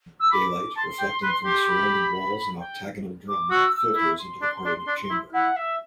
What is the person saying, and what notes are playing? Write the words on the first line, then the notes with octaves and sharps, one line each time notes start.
Daylight, reflecting from the surrounding walls and octagonal drum, filters into the Parliament Chamber.
E6
B5 D6
A5 C6
G5
B4
G4
C6
B5
G5
D6
F#4 E6
E6
E4
C6
D4
D4
D4
E4
E4 F#5
E5